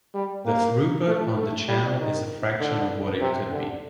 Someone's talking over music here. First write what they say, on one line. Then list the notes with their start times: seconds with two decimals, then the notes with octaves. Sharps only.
The throughput on the channel is a fraction of what it could be.
0.14 G3
0.46 A#3
1.07 A3
1.37 A3
1.68 G3
1.98 D#3
2.60 D3
3.21 C3
3.51 D3